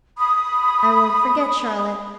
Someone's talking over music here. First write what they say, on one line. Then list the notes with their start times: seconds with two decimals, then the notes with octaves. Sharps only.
'I won't forget, Charlotte.'
0.18 B5 D#6